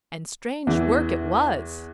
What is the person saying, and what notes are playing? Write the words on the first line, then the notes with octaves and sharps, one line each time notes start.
And strange work it was!
E2 E3